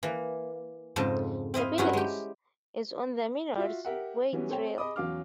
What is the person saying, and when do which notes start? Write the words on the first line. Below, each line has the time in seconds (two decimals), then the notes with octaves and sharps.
The village is on the Miner's Way Trail.
0.03 E3 A#3
0.96 F2 G#2 C#3 A4 D#5 A5
1.54 C4 E4 D#5 F5
1.78 G2 F#3 C#4 E4 F#4
1.93 G#3 G4
3.57 F4 F#4 E5
3.85 G4 A#4 E5 F#5
4.33 E3 F#3 G3 B3 C#4
4.49 C4 A4 C5 C#5 G5
4.78 G#4 D#5 B5 D6 D#6
4.96 E2 F#3 C#4 F5 D6 F6